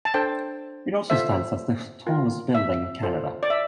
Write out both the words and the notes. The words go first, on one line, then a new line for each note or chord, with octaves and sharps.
It also stands as the tallest building in Canada.
A5
D4 A4 C5 G5
F4 A4 C5 E5
F4 A#4
E5
F4 A4 C5
D5
E5